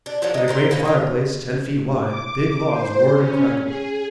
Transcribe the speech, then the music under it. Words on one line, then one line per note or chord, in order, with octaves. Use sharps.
In a great fireplace ten feet wide big logs roared and crackled.
D4
F3 F#3 A#3 D4
G#3 D#4
A#2 F3 A#4 C5
B2 A#3 C#4
F4 A#4
D6
C5
C#4
G#4